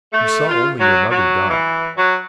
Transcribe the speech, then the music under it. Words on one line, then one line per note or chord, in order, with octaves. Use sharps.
You saw only your mother die.
A3
F4
F#3
F#3
E3
F#3